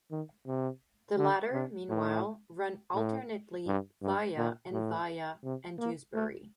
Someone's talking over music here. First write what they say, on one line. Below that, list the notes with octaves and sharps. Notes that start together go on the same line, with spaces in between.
The latter meanwhile run alternately via and via and Dewsbury.
D#3
C3
D3
C3
A2
A2
G2
G2
A#2
A2
C3
A#3
A3